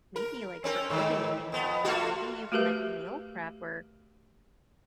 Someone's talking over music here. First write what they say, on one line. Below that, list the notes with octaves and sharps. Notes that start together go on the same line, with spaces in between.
maybe, like, for cooking and things like that, maybe you can, like, meal prep or
A#4
C4 C#4 A#4
G#2 D#3
F2 B3
A3 F4 F#4
A3 F#4 G4 A#4 B4 E5